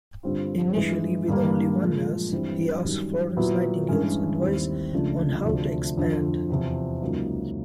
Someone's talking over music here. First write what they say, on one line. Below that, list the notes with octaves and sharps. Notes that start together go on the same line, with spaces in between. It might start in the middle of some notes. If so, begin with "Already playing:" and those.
Initially with only one nurse, he asked Florence Nightingale's advice on how to expand.
G2 D3 G3 C4 F4
G2 E3 G#3
G2 D3 G3 A#3
A#2 F3 G#3
G2 E3 G3 C4
F#2 D#3 G3
A#2 F#3 B3 E4
G2 E3 G#3 C#4
D#2 D#3 G3 C4 E4
C#2 C#3 F3 A3 D4
D2 C3 F3 A3 D4
F2 D3 F3
E2 C3 F3
C#2 C#3 F#3 A#3 D#4